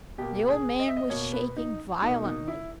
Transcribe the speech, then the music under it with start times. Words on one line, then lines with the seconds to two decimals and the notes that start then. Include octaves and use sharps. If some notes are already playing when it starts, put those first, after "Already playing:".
The old man was shaking violently.
0.18 B2 A#3 G4
0.49 G#4
0.80 D#5
0.88 E5
0.97 D#5
1.10 B2 A#3 C#5
1.33 B4
1.56 D#4
2.02 B2 A#3 D#4
2.25 D#4
2.48 E4